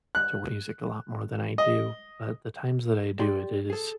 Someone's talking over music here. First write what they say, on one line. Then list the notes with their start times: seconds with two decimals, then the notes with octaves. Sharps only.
to music a lot more than I do, but the times that I do it is
0.15 F#6
1.58 D#5
3.19 G4 D5 C6
3.70 G#4 A4